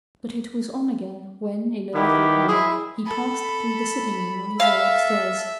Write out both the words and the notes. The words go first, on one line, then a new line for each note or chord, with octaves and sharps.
But it was on again, when in a little while he passed through the sitting-room on his way upstairs.
D#3 B3 E4 G4
G#3 E4 G#4
A4 B5
A4 E5 F5